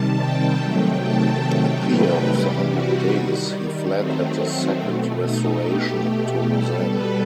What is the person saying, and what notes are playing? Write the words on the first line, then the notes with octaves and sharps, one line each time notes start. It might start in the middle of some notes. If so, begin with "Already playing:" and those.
A peer of the Hundred Days, he fled at the second Restoration to Lausanne.
Already playing: C3 D#3 G3 A5
G5
C3 D#3 F#3 A3 G5
A5
C3 D#3 F#3 A3 G5
B4
C3 E3 G3 G4
F#4
D#3 G3
D#3 F#3 A3 C4
B2 A3
D#4
B2 A3 G4
B2 G3 A4
B4